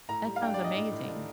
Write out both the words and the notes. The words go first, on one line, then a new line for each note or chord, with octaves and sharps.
That sounds amazing.
A2 A#5
G3
F5
D4 G5
D5
D4
D#5
A2
A2
D4